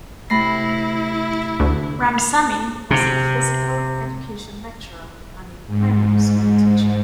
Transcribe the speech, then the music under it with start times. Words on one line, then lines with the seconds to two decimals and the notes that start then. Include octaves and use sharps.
Ramsamy was a physical education lecturer and a primary school teacher.
0.30 C3 A3 E4 B5 A#6 C7
1.60 D2
2.91 C3
5.67 G#2